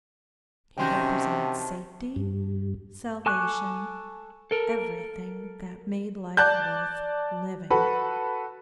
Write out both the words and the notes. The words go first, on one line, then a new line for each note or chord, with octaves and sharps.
He represented safety, salvation, everything that made life worth living.
C3 D#3 C#4 F#4 G5 A5 C6 G6
G2
A4 G#5 C#6 D6 F#6
A4 A#4
D5 A5 F#6 G6
F#4 A4 B4 B5